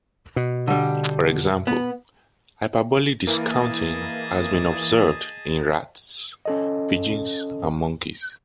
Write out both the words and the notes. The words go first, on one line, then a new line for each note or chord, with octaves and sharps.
For example, hyperbolic discounting has been observed in rats, pigeons, and monkeys.
B2
D3 G3
B3
E3 A#3 G#4 D#5 A5
C#4 A4 D#5